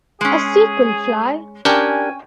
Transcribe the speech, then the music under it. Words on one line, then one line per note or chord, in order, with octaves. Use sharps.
A sequel, Fly!
G#3 C#4 G#4
C#4 D4 G4 A#4 G5 G#5